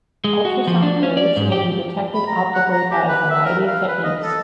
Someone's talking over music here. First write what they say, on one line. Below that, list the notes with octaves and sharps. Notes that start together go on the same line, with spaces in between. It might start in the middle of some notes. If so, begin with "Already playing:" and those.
Ultrasound waves may be detected optically by a variety of techniques.
G#3
F#4
F3
D4
C#4
D5
G#2
G4
B5
A#5
F#5
A#5
G4
B4
E5
A#4
F5
B4
D#5
A4